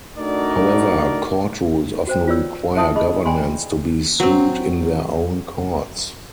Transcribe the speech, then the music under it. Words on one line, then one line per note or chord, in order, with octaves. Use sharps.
However, court rules often require governments to be sued in their own courts.
A3 D4 D#4 F#4 A#4 D5
F#4 C5 G5
F4 B4 C#5 D5 E6
E4 E5 A5 C6 D#6
G#4 D#5 B5
D5 G5 G#5 B5 C6
F#3 C4